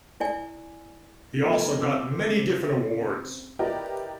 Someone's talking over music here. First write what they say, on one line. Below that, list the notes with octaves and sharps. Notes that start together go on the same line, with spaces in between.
He also got many different awards.
E4 D5 G#5
F3 A3 B3 D#4 A#4 C#5
C#3 C4 D6 E6
E4 G4 A#4 B4 D5 D#5